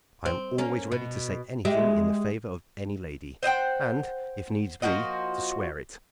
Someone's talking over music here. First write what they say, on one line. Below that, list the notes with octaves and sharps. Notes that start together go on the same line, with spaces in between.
I am always ready to say anything in the favor of any lady, and, if needs be, to swear it.
C4
A#3 C#4
B2
G#3 G4 E5
C5 D#5 F#5 G5
F3 A#3 F#4 D#5